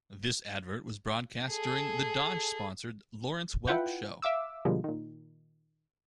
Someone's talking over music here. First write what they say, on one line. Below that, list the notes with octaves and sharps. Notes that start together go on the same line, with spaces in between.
This advert was broadcast during the Dodge-sponsored "Lawrence Welk Show".
G#4 A4
E4 F4 B4 F#5 G5
E5 F5 D6 E6
B2 D3 F3 G3 G#3 A#3
A#2 D#3